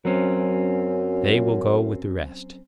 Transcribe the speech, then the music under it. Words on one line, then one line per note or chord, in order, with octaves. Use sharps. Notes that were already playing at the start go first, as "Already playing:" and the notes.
They will go with the rest.
F#2 F#3 C4 C#4